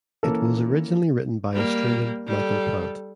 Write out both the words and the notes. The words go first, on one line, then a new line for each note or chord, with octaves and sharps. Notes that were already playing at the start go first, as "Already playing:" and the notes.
It was originally written by Australian Michael Plant.
E3 A#3 C#4 A4
G3 A#3
G3 A4